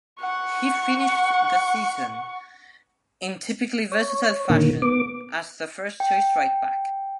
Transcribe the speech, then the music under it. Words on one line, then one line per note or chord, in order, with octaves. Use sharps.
He finished the season, in typically versatile fashion, as the first choice right back.
F#5 C#6
C#5
A#2 D3 D#3 A#3
B3 D6
G5